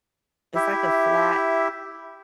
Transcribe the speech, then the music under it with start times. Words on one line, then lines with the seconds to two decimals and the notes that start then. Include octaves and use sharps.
It's, like, a flat
0.55 E4 G4 E5